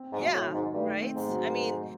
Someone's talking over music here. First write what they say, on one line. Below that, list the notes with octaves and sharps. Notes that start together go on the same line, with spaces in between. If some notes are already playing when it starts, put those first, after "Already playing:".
Yeah. Right? I mean,
Already playing: C4
G#2
F#3
A2
D#3
G#2
G2 A3
C4
G#2
F#3